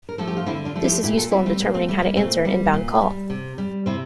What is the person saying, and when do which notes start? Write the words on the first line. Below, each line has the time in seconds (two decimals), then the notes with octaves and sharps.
This is useful in determining how to answer an inbound call.
0.09 A#4
0.18 F3 A3 A4
0.27 G4
0.37 F4
0.46 D3 C4 E4
0.65 D4 F4
0.75 F3 A3
0.84 E4 G4
1.03 A#2 E4 G4
1.17 F4 A4
1.31 G3 C4 E4
1.46 A3 C4
1.60 A#2 A#3
1.74 A3 C4
1.88 G3 A3
2.02 A#3
2.16 A#2 A3 C4
2.45 G3
2.73 A#2
3.02 G3
3.30 C3
3.58 G3
3.86 C3 C4 E4